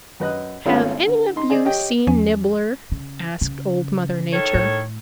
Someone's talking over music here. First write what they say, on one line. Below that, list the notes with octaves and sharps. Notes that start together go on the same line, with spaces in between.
"Have any of you seen Nibbler?" asked Old Mother Nature.
F#2 B4 D#5 F#6
G#1 A3 B3 C#4 F4
D3
D#4 C6
G#4 D5 D#5
G4 C#5 D#5 G5
E2 F3 C#4 G#5
C#3
C#3
D#3 A4 C#5
A2